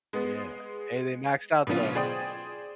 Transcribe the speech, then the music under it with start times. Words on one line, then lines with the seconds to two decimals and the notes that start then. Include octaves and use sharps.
Yeah, and they maxed out, though.
0.13 G#3 B3
1.67 B2 D3 F#3 C#4 F4
1.95 G#4 C5 D5 G5 D#6